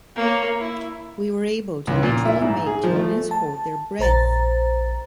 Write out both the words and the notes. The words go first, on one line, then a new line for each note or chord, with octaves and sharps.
We were able to literally make the audience hold their breath.
A#3 C#5
E4
C#2
A#2
E4
G#2
G#4
F3
A3
A5
A#1 C5 A#5 A6